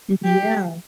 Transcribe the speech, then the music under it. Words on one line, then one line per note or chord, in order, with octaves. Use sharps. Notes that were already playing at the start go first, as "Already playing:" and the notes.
M yeah.
G4